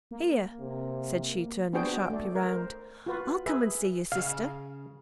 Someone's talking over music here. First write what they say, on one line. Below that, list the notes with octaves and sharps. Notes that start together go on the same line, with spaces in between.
Here,' said she, turning sharply round, 'I'll come and see your sister.
A#3
C3
B3 D4 F#4 G#4 C5 G5
A3 D5
A#4
C5
F4 F#4 B4
G#4 B4 E5
C#3 F5